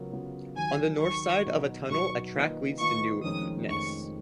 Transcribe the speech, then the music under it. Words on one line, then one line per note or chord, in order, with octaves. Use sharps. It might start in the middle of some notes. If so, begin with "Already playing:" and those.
On the north side of the tunnel, a track leads to Newnes.
Already playing: C#3 F#3 B3 F4 A#4
C#3 F#3 B3 F4 A#4
D#2 D#3 F#3 G#5
D#2 D#3 F#3 C#6
B2 F#3 B3 D#4
B2 F#3 B3 D#4 C#6
D#3 A#3 F4 B4 D#5
D#3 A#3 F4 B4 D#5 C#6
F1 F2 D#3 G#3 C#4 D#6
F1 F2 D#3 G#3 C#4 C#6